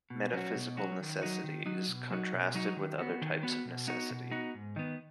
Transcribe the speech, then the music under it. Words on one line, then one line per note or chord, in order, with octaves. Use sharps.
Metaphysical necessity is contrasted with other types of necessity.
B2
F#3 C#4 F#4
B2
F#3 C#4 F#4
D#3
F#3 D#4 F#4
D#3
F#3 D#4 F#4
B2
F#3 D#4 F#4
B2
F#3 D#4 F#4
D#3
B3 F#4
D#3
B3 F#4
B2
B3 D#4 F#4
B2
B3 D#4 F#4
G#2
D#3 B3